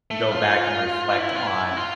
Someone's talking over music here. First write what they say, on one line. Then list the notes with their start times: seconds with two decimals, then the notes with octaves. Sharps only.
go back and reflect on,
0.11 A3
0.31 F4
1.18 E4
1.35 F4
1.47 E4
1.77 F4